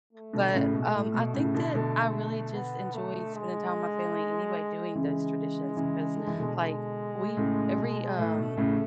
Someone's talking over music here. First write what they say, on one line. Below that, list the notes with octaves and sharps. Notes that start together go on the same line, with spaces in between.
But, um, I think that I really just enjoyed spending time with my family anyway doing those traditions, because, like, we every, um,
A3
B2 D3
A2 C#3
B2
A2
B2
A2 C#3
B2 D3
B2 D3
B3
A3
G#3
C#3 E3 G#3
C#3 E3
D3
E3
B2 D3
G#3
A2 C#3
B2
A2 A3
B2
A2 C#3